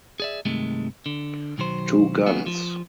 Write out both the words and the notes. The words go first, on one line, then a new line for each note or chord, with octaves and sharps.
Two guns.
G#4 D5 E5
G2 C3 D#3 G#3 A3
D3
B1 D#3 F#3 C5
E2 F#3 B3 G#4
F3